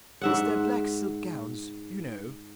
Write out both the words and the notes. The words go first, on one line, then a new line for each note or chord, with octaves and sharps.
"It's their black silk gowns, you know."
G#2 E5 F#5